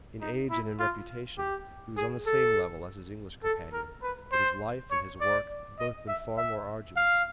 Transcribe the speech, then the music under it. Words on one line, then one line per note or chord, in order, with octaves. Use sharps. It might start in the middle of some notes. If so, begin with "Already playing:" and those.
In age and in reputation, he was on the same level as his English companion, but his life and his work had both been far more arduous.
D#4
E4
F4
G4
G#4
A4
A4
A#4
B4
C5
C#5
D5
D#5
E5
E5
F5